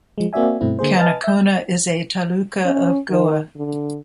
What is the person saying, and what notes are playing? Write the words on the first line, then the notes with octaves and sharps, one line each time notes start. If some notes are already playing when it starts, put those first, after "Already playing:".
Canacona is a taluka of Goa.
F3 G#3
A#3 C4 F#4 D5 E5 G#5
G2 B2 A3 C4 E4
D3 A#3 G#4 C5
B4 D#5 G#5 A5 F6 A6
E5 G6
C#4
D#3
D3